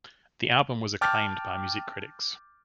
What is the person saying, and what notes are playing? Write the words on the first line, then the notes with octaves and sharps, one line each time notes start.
The album was acclaimed by music critics.
G5 A5 D6 F6 G6 A6